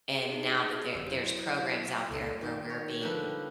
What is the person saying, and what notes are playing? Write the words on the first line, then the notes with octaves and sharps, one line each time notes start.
And now that there there's programs out there where we're being
G#4
D4 D#4
G1 F2 G4 E6
F#3 E4 C5
C#2 F#2 A4
D#3
C#5
D3 F3 G3 A#4 B4